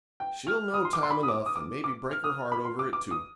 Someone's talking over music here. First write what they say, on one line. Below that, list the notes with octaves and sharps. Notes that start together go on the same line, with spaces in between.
'She'll know time enough, and maybe break her heart over it, too.
G5
F6
D#6
C6
D6
C6
B5
D#6
D6
D#6
D6
D6
F6
D#6
B5
C6
D6
D6
D#6